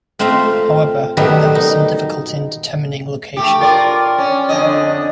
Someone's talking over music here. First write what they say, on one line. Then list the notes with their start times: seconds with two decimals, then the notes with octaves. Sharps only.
However, there was some difficulty in determining location.
0.19 A3 C4 F4 E5 F5 A#5
1.17 D#3 F#3 G3 A3 B3
1.55 D#4
3.37 A3 G4
3.61 F4 A#4 D5
4.18 C#4
4.49 F2 D3 D#5